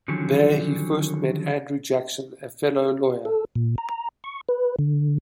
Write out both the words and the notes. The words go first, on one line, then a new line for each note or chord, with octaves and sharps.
There, he first met Andrew Jackson, a fellow lawyer.
D3 D#3 F3 F#3 C#4 G#4
A4
A#2
A#5
C#6
B4
D3